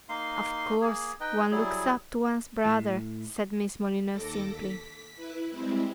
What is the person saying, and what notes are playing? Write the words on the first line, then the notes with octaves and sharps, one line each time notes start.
"Of course one looks up to one's brother," said Miss Molyneux simply.
A#3 D#4 F5 C6
A#3 G#4
D#4 B4 D#5 G5
F#3 G3 E4 G#4
A2
D#2 A4 D6 A#6
B6
E4 B4
G3 G#3 C4 E4